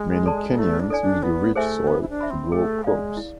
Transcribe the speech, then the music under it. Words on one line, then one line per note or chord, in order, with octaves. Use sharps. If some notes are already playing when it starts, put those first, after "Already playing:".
Many Kenyans use the rich soil to grow crops.
Already playing: G#3
A4 D5 A5 C6
A3 E4
D4
A4 D5 G#5
D4
B3 E4
A3 G#4 C5 E5 G#5
B3 C5
E4
D4
E5 B5
C4
A3 G#4
G#3 D5 F5
E4